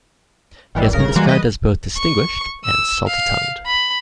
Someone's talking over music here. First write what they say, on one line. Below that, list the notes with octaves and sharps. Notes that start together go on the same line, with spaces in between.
He has been described as both "distinguished" and salty-tongued.
G#1 D#3 E3 G3
G1 C#3 A#4
E3 G3 G#3 A#3 F#4
B4 D#5
C#6
E6
F5
B5